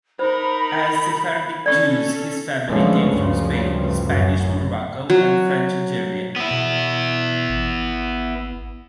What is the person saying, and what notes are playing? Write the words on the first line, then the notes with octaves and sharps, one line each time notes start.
As Sephardic Jews, his family came from Spain, Spanish Morocco and French Algeria.
D#4 A#4 C5 B5
C#4 A4 D5 C#6
D3 F3 G#3 A3 B3 C#4
D2 G2 C#3 F3
A1 F#2 F#3
F#3
B3 E4
B2
G#1